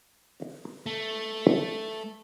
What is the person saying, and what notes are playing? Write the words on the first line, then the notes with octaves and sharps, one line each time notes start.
He expects them to carry messages for him to their kindred.
A3